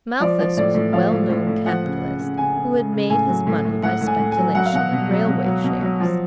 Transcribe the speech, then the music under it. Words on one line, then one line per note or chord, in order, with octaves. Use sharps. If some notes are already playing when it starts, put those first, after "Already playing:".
Malthus was a well-known capitalist, who had made his money by speculation in railway shares.
F3 D5
F3
A2 D5
A2
F3 F5
A2
A2
A2
F3 F#5
C#3
C#3
C#3
C#3 G#5
C#3
C#3
C#3
A2 G#5
F#3
A2
A2
A2 F#5
A2
G#5
A2
G#5
F#3
F#3 F#5
F5
B2 F#5
B2
F#3
B2
F#3
B2
F#3
F3